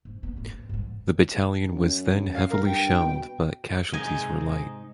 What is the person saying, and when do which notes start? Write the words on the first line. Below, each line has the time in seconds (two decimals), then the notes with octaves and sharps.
The battalion was then heavily shelled but casualties were light.
0.05 G#2
0.23 B3
0.37 G#2 A#3
0.49 C4
0.69 G#2 G#3
1.71 F#2
2.34 F5
2.50 A#4
2.65 G2 G5
3.01 B2
3.93 G#2 C3 D#4 G#4 G#5